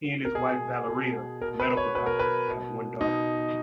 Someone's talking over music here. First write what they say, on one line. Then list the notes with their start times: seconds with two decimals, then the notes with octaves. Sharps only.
He and his wife Valeria, a medical doctor, have one daughter.
0.25 A#4
0.35 B2 G#4
0.88 B2
1.41 B2 A#4
1.60 B4
1.77 C#5
1.95 B2 B4
2.06 A#4
2.19 B4
2.48 B2
3.01 B2 D#4